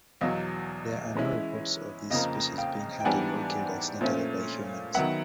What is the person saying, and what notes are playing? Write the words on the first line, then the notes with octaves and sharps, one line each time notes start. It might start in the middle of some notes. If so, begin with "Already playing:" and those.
There are no reports of this species being hunted or killed accidentally by humans.
E2 B2 F#3 D#5 F5
E3 G#3 C#4 E4
F2 C#3 F3 A#3 D#5 F5
F5 G5
G5
G#2 E3 G3 B3 D4 F#5 G#5
A#2 F3 A3 C#4 F4
D#3 F#3 B3 E5 F#5